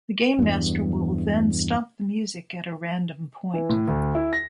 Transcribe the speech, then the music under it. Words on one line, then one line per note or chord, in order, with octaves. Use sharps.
The game master will then stop the music at a random point.
E2 G2
E3
A2
D2
E4
A#6